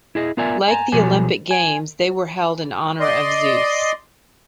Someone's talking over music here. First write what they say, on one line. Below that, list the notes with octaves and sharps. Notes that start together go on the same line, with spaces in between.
Like the Olympic Games, they were held in honour of Zeus.
E4 G#4 D#5
B3 F4 A#4 D5 E5 G#5
G#5 A#5
B2 F3 F#3 G4 A4 G#5
G#5
D5 D#5 C6